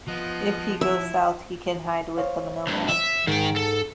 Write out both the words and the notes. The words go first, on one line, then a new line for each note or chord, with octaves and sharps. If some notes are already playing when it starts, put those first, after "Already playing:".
If he goes south, he can hide with the nomads.
F3 B3 D#5 F#6
E4 E5
C5 C#5 F5
D2 G2
E5
G#2 D#3 G5
A4